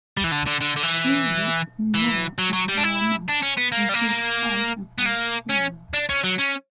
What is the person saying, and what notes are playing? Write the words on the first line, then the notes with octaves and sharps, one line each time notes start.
He lives in Moore, Oklahoma, with his wife and five children.
G3
E3
D3
D3
D3
D3
E3
E3
F#3
F#3
G3
D4
E4
D4
C#4
B3
A#3
G3
A#3
B3
A#3
C#4
D4
C#4
F#3
C#4